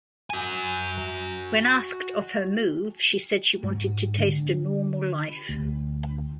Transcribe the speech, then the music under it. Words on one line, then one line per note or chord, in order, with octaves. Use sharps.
When asked of her move, she said she wanted to taste a normal life.
F#4 G#5
G#2
D3
D2